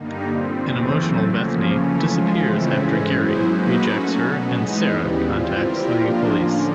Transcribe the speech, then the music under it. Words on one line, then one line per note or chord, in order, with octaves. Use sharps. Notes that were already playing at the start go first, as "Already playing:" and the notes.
An emotional Bethany disappears after Gary rejects her and Sarah contacts the police.
Already playing: G2 D3 G3 A#3 D#4
A#2 G3 C4
E2 C#3 E3 A3 C4
F#3 A3 C4
C#3 F3 A#3 C#4
C#3 E3 A3 C#4
F3 G#3 C#4 F4
C#3 E3 A3 C4 E4
G#2 E3 G#3 C#4
F#3 B3 E4 G#4 C5
F#3 A#3 D#4 F#4 B4
F#3 A3 C#4 F#4
B2 F#3 B3
G#2 E3 G#3 B3 D#4
D#2 C#3 E3 G3 B3
E3 G3 C4 F4
G3 C4 E4 G4 A#4
A2 F3 A#3 D4 F4
D3 F3 A#3 C#4